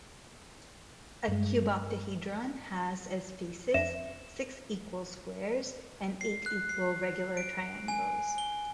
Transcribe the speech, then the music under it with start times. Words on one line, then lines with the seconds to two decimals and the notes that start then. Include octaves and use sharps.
A cuboctahedron has as faces six equal squares and eight equal regular triangles.
1.28 G2 G#3
3.74 F2 E5 E7
6.21 C7
6.46 F#6
6.69 C7
7.37 D7
7.88 G#5
8.38 G7